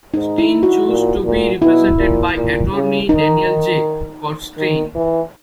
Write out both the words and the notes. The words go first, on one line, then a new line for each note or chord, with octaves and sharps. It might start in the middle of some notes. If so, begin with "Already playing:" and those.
Steyn chose to be represented by attorney Daniel J. Kornstein.
G#2 D#4
E4
F#4
A#2
A#2
B2 E4
A#2
A#2
C#3
D#3 D#4
D#3
E3